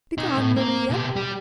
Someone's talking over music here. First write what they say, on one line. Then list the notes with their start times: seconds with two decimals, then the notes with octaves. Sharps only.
Begone, Maria!
0.18 B2 D#4
0.37 A2
0.56 A#3 A#4
0.90 B2 G4
1.16 G3 G4